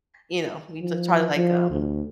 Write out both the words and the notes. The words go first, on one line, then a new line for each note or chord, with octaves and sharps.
you know, we just try to, like, um,
F3
F3
D2